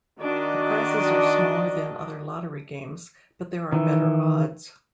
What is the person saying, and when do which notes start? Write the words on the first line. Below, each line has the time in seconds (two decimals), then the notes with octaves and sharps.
The prizes are smaller than other lottery games, but there are better odds.
0.20 D#3 D4 F#4 D5 D#5
3.72 D#3 E3